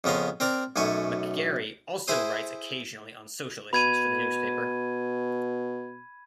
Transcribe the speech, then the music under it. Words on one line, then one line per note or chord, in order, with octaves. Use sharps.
McGarry also writes occasionally on social issues for the newspaper.
F2 C#3 B3 A#5 C6
C4 A#4 D5 A#5
B1 F#2 A3 G#5 C#6
E4 G#4 C5 D#6
B2 B5 G#6 D#7